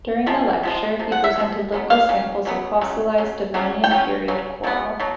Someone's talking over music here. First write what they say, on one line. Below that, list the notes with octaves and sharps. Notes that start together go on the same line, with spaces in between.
During the lecture he presented local samples of fossilized Devonian period coral.
C3 F3 G#3
C3 F3 G#3
C3 F3
F#5
E5
C3 F3 G#3
C#3 F#3 B3
F5
C#3 F#3
C#3 F#3 B3
C#3 F#3
C#3 F#3
C#3 F#3 A#3 C#4
G5
C#3 F#3 C#4
C#3 F#3
B2 F#3 B3
B2 F#3